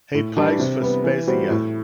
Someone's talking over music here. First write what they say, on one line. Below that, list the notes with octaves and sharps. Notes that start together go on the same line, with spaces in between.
He plays for Spezia.
A2
E3 G3 D4
C3
G3 B3
E3
G3 C4 F#4
A2